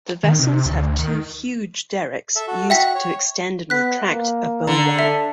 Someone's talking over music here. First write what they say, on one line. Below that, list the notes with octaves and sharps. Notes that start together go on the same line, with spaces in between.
The vessels have two huge derricks used to extend and retract a bow ramp.
D#3
C3
D2
D#3
A4 E5
F#4 A4
F#4 E5 G5 B6
C#5
B3 F#6 B6
A#3
D3 A#5
A4 E5